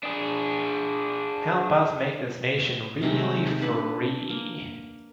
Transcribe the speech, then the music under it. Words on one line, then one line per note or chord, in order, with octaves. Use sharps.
Help us make this nation really free.
D4 G#4
C3 D#3 G#3 A3
D4 A4 B4
A#3